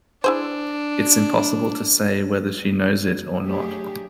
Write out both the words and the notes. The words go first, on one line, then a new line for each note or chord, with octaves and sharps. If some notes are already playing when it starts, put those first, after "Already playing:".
It's impossible to say whether she knows it or not.
D4 E4 G#4 C5
F#3 A3 D4 G4 G#4